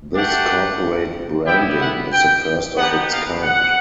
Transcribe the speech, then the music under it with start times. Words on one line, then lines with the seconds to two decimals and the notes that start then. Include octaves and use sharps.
This corporate branding is the first of its kind.
0.16 A3 D4 G4 F#5
1.46 B3 E4 G4 G5
1.80 F#5
2.12 G5
2.77 B3 D#4 G4 F#5
3.10 F5
3.43 F#5